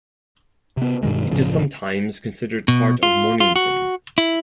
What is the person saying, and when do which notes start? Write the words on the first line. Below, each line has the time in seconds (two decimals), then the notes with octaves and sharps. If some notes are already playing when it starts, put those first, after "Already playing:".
It is sometimes considered part of Mornington.
0.77 C3 B3
1.03 G2 B2 D#3 G#3
1.32 F#1 A2 C#3 F3
2.68 B2
3.03 F4
3.40 F4
3.56 F#4
4.18 E4